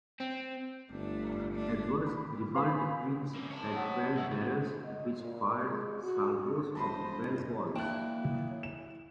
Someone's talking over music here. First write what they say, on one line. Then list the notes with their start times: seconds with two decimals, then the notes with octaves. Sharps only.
Edward's ribauldequins had twelve barrels which fired salvoes of twelve balls.
0.20 C4
0.91 G1 A3 D4
1.53 A3 D4
2.07 B5
2.55 B4 F5 G#5 B5
3.35 A#3 C4
3.50 C#5 A5
3.73 F#3 B3 C4
4.15 B1 B2 E4
4.31 C#3
4.84 D#5
5.20 A#2
5.66 G#3
6.02 F#4
6.75 E1 G2 D3 C5 D#5 A5 B5 C6
7.75 A#3 D4 E4 G5 F#6
8.63 E7